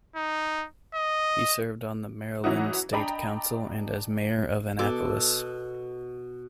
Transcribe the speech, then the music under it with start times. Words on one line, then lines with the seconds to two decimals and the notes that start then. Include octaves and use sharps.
He served on the Maryland state council and as mayor of Annapolis.
0.16 D#4
0.95 D#5
2.44 E3 F#3 C#4 D#4 E4 F#4
2.92 D4 D#5 G5 A#5 B5
4.79 B2 A4 D6